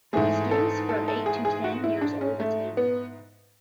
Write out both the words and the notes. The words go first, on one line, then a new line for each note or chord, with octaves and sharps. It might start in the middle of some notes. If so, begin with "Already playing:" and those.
Students from eight to ten years old attend.
G#2 E3 A3 G#4
A4
A4
A4
G#4
G#4
F#4
E4
D4
C#4
A3
B3